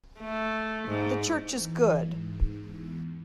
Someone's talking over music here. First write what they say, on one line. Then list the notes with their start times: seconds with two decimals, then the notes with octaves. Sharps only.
The church is good.
0.20 A3
0.88 G#2
1.57 E3
2.10 G#2
2.60 E2